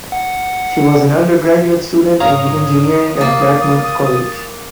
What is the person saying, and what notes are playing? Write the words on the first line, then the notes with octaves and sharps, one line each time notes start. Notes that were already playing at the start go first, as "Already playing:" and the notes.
She was an undergraduate student in engineering at Dartmouth College.
F#5
G#2 C#5 F5 A#5 D#6
A1 A#3 A6